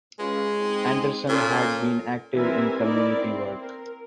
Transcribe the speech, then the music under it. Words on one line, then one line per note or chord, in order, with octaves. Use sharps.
Anderson had been active in community work.
G#3 C#4 F4 B4
C4 D#4
A#2 C#4 A4
E3 G3 C4 A#4 E5 G#5
D#4 E4 A#4 D5
C4
A#4